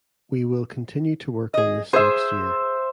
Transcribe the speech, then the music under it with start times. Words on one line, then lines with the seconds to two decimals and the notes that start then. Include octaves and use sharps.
We will continue to work on this next year.
1.54 G#4 D#5
1.93 G#4 C5 E5